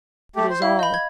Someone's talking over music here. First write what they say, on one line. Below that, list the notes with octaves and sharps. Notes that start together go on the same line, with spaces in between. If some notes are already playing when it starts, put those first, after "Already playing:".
It is all.
A3 G4
C5
E4 F5
D#5 B5 G6
G#6